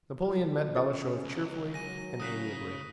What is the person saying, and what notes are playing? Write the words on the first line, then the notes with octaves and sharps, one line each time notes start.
Napoleon met Balashev cheerfully and amiably.
F4 A4
C#4 F4 A4
C#2
F#3 G#5 A#6 D#7
C#3 D#6 F#6 B6